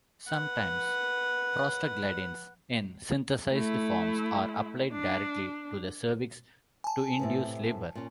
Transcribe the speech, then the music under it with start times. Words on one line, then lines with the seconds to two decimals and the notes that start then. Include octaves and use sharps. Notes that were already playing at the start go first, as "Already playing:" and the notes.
Sometimes prostaglandins in synthesized forms are applied directly to the cervix to induce labor.
0.28 B4 F#5
3.53 A3 E4
4.92 D4
6.84 G#5 A5
7.19 A2 C3 B3
7.95 A#2 C#4